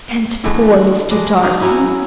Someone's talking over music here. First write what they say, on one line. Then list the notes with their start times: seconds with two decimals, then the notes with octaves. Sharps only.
And poor Mr. Darcy!
0.44 D3 E3 G#3 A3
0.71 F#4
1.10 G#3 D4 B4
1.41 A#3 D4 D#4 F#4
1.61 F#3 C#4 E4